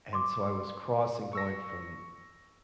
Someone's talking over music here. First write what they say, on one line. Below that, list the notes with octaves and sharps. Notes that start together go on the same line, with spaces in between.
and so I was crossing going from
C6 D6
C#6 E6 A#6